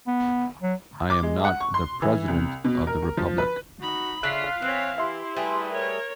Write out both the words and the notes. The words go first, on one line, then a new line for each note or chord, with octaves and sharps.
I am not the President of the Republic.
B3
F#3
D6
G#3
F#5
C#6
C6
E3
C2
B2
A#4
F3
B4
D#4 F#4 B5
C#3 D4 F4 E5 F5 F#6 B6 C7
E3 C4 C#5
E4 G4 E5 C6
G3 A3 G#4 B4
A#4 C#5